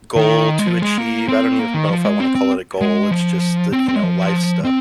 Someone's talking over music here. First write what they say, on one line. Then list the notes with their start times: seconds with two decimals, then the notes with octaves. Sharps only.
goal to achieve. I don't even know if I wanna call it a goal, it's just the, you know, life stuff.
0.16 D#3
0.59 G#3
0.67 F3
0.82 G#3
0.98 A#3
1.29 C4
1.59 A#3
1.74 D#3
1.90 F3
2.05 G#3
2.20 C4
2.35 C4
2.81 G#3
3.11 F3
3.73 C4
3.88 C4
3.96 G#3
4.03 F3
4.64 C4